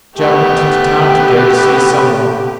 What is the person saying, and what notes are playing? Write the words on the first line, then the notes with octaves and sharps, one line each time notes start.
Jack went to town today to see some one.
A3 B3 G4